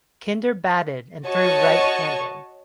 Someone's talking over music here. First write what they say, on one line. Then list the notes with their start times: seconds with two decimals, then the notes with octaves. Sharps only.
Kinder batted and threw right-handed.
1.28 F#4 C#5 D#5 A5 C#6